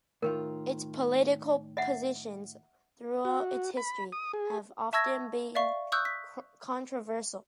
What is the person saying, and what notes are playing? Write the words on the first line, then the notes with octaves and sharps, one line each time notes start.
Its political positions throughout its history have often been controversial.
A2 D#3 F4 A#4
D#5 E5 F#5
F#4
B5
D#6
G#4
E5 A5 C#6 E6 G#6 A#6
D5 E5 F5 C#6
C#6 D#6 E6 F#6 G6
B6